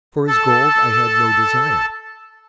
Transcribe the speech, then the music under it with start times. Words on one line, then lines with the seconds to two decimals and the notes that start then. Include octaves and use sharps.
For his gold I had no desire.
0.28 A4 A5